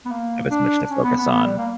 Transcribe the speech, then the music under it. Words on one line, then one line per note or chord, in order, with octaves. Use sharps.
have as much to focus on.
B3
A#3
D4
C#4
B3
B3
B3
G3
A#3